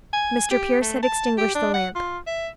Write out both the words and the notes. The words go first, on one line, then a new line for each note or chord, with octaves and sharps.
Mr. Pearce had extinguished the lamp.
G#5
G4
A3
A5
G4
D4
F#5
F4
E5